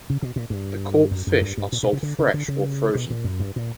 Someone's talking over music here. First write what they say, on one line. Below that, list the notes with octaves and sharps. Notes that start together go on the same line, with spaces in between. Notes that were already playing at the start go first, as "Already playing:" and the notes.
The caught fish are sold fresh or frozen.
C#3
B2
A#2
G2
F#2
F#2
G2
G2
A#2
B2
C#3
D3
C#3
D3
C#3
B2
A#2
F#2
G2
A#2